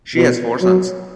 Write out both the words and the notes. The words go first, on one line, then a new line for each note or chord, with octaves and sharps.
She has four sons.
B2
F#3